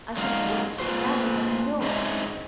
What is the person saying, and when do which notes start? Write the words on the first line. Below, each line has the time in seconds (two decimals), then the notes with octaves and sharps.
"I should think she'd rather go indoors."
0.17 F#3 G#3 A#3 D#4 F5 F#5
0.80 A#3 F4 B4 C5
1.82 G#3 C4 C#4 D#4 E4